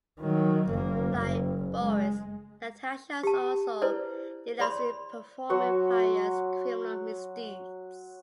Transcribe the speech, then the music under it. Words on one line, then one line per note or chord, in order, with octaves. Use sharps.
Like Boris, Natasha also delights in performing various criminal misdeeds.
D#3 F#3
F#1 A#3
F#1
G#3
G4 A5
E4 B4 C5 D5
C#5 D5 B5 C6
F#3 F#4 C5 C#6